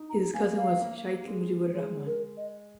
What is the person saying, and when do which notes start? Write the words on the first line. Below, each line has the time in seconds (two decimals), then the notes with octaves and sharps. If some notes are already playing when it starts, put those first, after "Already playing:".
His cousin was Sheikh Mujibur Rahman.
Already playing: D#4
0.10 A#5
0.34 A#3 G#5
0.57 F5
0.81 A#3
1.27 G#3
1.74 G#3 C#5
2.06 A#4
2.37 D#5